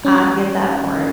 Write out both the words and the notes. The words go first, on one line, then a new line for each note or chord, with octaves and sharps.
I get that part.
C#4